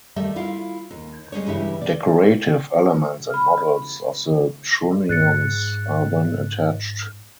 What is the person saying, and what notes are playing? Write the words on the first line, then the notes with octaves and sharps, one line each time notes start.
Decorative elements and models of the trunnions are then attached.
D#3 G3 A3 E5
E4 F4 F5
D#2
G3 G#3 C#4 C#5
G2 C#3 E3 E4 G4 E5
D5
B5 F6
G#2 F#6 A6 C#7